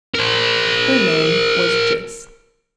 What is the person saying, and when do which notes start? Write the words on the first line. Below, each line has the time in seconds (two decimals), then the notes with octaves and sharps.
Her name was Jess.
0.15 A#4 C5